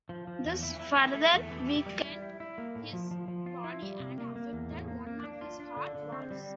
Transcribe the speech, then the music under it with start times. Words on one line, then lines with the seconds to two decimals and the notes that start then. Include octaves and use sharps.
This further weakened his body and affected one of his heart valves.
0.09 F3
0.27 F3
0.45 E2
0.63 E4
0.80 E4
0.97 E4
1.15 A3
1.34 E2
1.51 E3
1.69 G4
1.86 G3
2.05 E4
2.22 E4
2.40 E4
2.58 A#3
2.75 A2
2.93 F3
3.11 F3
3.28 F3
3.46 F4
3.64 E4
3.82 G3
4.00 C3
4.18 A#3
4.36 A#3
4.53 E2
4.70 A2
4.88 A#3
5.07 A#3
5.23 D4
5.41 F4
5.60 D4
5.77 D3
5.95 D3
6.12 C4
6.31 G3